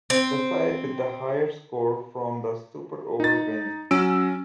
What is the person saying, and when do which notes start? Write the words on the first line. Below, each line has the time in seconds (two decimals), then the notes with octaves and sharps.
The side with the higher score from their Super Over wins.
0.10 C4
3.20 D#4 A6
3.91 F#3 C#4 E6 D7